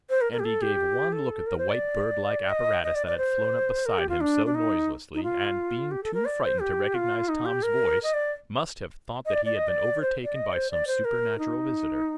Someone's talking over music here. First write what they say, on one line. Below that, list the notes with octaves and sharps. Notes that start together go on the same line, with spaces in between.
Andy gave one look at the white bird-like apparatus that had flown up beside him so noiselessly, and, being too frightened to recognize Tom's voice, must have thought that he had been overtaken by some supernatural visitor.
C5
A#4
A#4
G4
A4
G4
A4
A#4
C5
D5
D#5
D#5
D5
D5
C5
A#4
G4
F4
D4
D4
D#4
D#4
F4
G4
A4
A#4
D5
C5
G4
F4
D#4
G4
A#4
D#5
D5
D#5
D5
D5
D#5
D5
C5
D5
D#5
C5
D5
C5
A#4
D#4